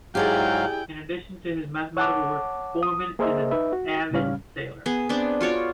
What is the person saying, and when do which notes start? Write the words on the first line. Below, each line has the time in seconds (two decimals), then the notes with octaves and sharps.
In addition to his mathematical work, Foreman is an avid sailor.
0.15 G#2 F#3 E4 G4 G#4 D5 F5 G5
1.97 C#5 F#5 A5 D6
2.83 D#6
3.19 A#3 G#4 A#4 C5 D#5 E5
3.51 D#4 B4 E5
3.73 F#4
4.11 C#2 A2 C#3 G3 C#4 F5
4.86 B3 G#4
5.09 B3 C4 D4
5.41 F4 F#4 C#5 D5